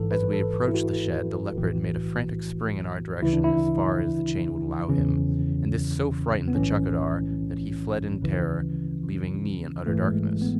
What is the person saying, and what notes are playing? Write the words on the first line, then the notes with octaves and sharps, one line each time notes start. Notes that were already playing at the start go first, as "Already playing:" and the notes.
As we approached the shed, the leopard made a frantic spring in our direction as far as the chain would allow him, and this so frightened the chaukidar that he fled in terror, leaving me in utter darkness.
Already playing: A1 G#2 E3 A4
B4
A4
E4
F#4
B1 A2 E3
D2 C#3 E3 E4
D4
E4
E2 C#3 E3 C#4
B3
B1 A2 E3 C#4
D2 C#3 E3
G#1 G#2 E3 A3
G#3
B3